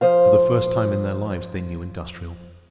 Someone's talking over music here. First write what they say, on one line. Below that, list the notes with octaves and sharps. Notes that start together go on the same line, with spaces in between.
For the first time in their lives they knew industrial peace.
F3 C5 F5